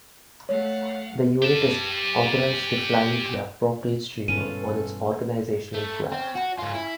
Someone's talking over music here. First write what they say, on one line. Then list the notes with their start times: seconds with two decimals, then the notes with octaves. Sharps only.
The unit is authorized to fly the appropriate streamer on its organizational flag.
0.49 A3 C#5 F5 F#5
1.42 G4 A5
4.28 G2 B2 E3 C#4 F4 A4 B4 D#7
5.74 A3
6.12 C4
6.35 F#4
6.59 G#2 F4
6.74 E4